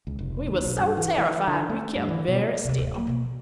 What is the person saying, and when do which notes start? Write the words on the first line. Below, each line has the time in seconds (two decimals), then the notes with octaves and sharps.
We were so terrified we kept very still.
0.07 C#2
0.19 F1
0.47 D#2
0.65 B1
0.78 G2
0.97 E3
1.18 E3
1.48 D3
1.70 A3
1.96 G2
2.09 E3
2.28 B2
2.65 C3 F3
2.78 D1
2.94 A#3
3.07 B2 F3